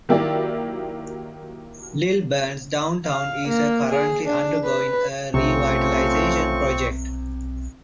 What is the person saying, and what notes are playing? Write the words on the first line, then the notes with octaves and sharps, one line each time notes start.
Lilburn's downtown is currently undergoing a revitalization project.
D#3 F#3 A#3 E4 G4 D5
F5
A#3
G#4
D4
B4
B1 C3 A3 C4 C#4 F4 C#6